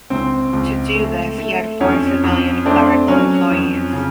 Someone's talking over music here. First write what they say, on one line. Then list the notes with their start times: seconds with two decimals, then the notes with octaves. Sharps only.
To do this he had four civilian clerical employees.
0.10 C#2 C4
0.53 C#2
0.95 A3
1.38 A3
1.81 F2 C#4
2.24 F2
2.65 A3 C4 D4
3.08 F#3 C#4
3.51 F2
3.93 C#3